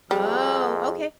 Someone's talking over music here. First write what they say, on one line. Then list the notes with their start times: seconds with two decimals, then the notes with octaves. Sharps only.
Oh, okay.
0.11 F2 G3 G#4